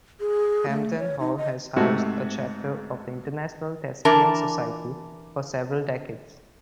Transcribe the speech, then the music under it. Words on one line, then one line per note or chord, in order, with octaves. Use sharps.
Hamden Hall has housed a chapter of the International Thespian Society for several decades.
G#4
A3
C#5
D#4
D#5
G#2 C3 A3 F#4
E3 D4 A#4 A5